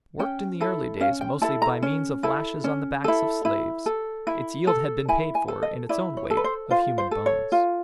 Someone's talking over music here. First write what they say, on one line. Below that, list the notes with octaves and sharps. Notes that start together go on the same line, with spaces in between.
Worked in the early days mostly by means of lashes on the backs of slaves, its yield had been paid for in its own weight of human bones.
C#4 G5
E4 A4
C#4 F5
G5
E4 A4 A5
A#5
C#4
E4 A4
C#4
E4 A4
E4
A4
E4
A4
E4 G#5
G#5
A4
D#5
E4 D5
C#5
A4
B4
C5
F4 C5
C5
A4
C#5
F4